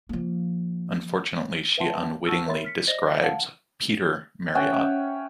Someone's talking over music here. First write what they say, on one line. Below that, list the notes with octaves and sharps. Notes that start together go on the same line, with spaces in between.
Unfortunately, she unwittingly describes "Peter Merriot".
F3 A#3
B4 E5 F#5 G5 A5 C6
F#5 A5 C#6 E6 F6
A#4 C#5 E5 B5 C6 A6
F6 B6 C#7
C5 D5 D#5 A6 A#6
F5 F#5 A5
C#4 E5 F#5 G5